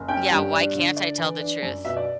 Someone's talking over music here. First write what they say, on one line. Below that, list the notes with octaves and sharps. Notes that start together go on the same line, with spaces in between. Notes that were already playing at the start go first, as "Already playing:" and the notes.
Yeah, why can't I tell the truth?
Already playing: F#1
C#4 G5
G2
D4
D3
D4 D5
E3
D4
F#2
B2 E5
D5